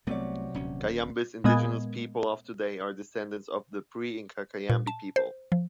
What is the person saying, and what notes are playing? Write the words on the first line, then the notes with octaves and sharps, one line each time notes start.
Cayambe's indigenous people of today are descendants of the pre-Inca Kayambi people.
C2 C3 F#3 A3 B3 D5
D#1 D2 C#4
A#2 G#3 B3 D#5 D#6 G#6
A#2
A5
C5
F3